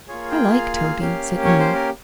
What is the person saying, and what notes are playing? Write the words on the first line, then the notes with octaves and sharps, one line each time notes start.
'I like Toby,' said Una.
A#3 F4 G#4 C#5
G5
F5
F5
A#3 C#4 G4
C#5
C5
A#4